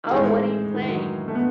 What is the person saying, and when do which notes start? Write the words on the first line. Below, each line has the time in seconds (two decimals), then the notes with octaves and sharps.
Oh, what do you play?
0.06 D#3
0.11 A2 E3 G#3 D#4 G#4
0.74 D#3
0.81 E3
0.88 D#3 F#3
1.28 A3
1.35 B3